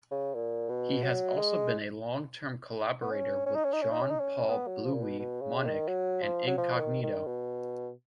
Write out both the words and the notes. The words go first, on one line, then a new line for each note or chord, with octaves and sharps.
He has also been a long-term collaborator with Jean-Paul 'Bluey' Maunick and Incognito.
C#3
A#2
B2
F#3
G#3
B3
C#4
C#4
D#4
C#4
D#4
C#4
D#4
C#4
D#4
C#4
B3
F#3
F3
A#2
B2
B2
C#3
D#3
F#3
F3
F#3
F3
F3
D#3
D#3
B2